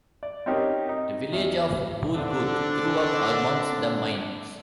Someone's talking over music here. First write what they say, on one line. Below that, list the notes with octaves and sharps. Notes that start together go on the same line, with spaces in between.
The village of Polgooth grew up amongst the mines.
D5
C4 C#4 D#4 G4 A#4
D#4
E2
D3 C4 D4